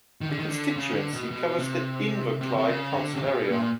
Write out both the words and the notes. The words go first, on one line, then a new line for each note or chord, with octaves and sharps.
The constituency covers the Inverclyde council area.
D#3
D3
D#3
D3
C#3
D3
B2
B2
C3
C3
C3
C#3
D3
C3
B2
A#2